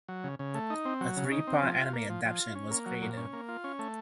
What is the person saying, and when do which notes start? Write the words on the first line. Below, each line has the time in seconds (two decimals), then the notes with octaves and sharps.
A three-part anime adaption was created.
0.08 F#3
0.24 C#3
0.39 C#3
0.55 A3
0.70 D#4
0.85 C4
1.01 F#3
1.17 C#3
1.32 D#4
1.47 C4
1.63 F3
1.78 F4
1.93 A#3
2.10 F3
2.25 F3
2.40 F4
2.55 C#4
2.71 A#3
2.86 F#3
3.02 A#2
3.17 C#4
3.33 A#3
3.49 F4
3.64 C#4
3.79 A3